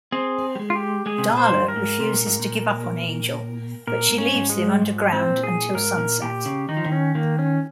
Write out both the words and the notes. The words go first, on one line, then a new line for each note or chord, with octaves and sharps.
Darla refuses to give up on Angel, but she leaves him underground until sunset.
C4 G#4
G3
G#3
F4
G4
G#3 G#4
C3
A#2
C5
G2
A#4
G#2
C3
A#2
G#2
A#2
A#2 A#4
G#2
C#4
G#2
G#3
G#2
G#2
C4
A#2
G#4
G#2 A#4
A#2
A#2 G4
C#3
D#3 D#4
F3
D#3
C#4
D#3 A#3
C#4